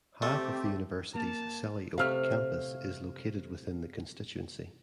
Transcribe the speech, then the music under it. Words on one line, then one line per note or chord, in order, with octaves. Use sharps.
Half of the University's Selly Oak campus is located within the constituency.
A3 C4 G4
A#3 A5
C3 A3 E5 F5 F6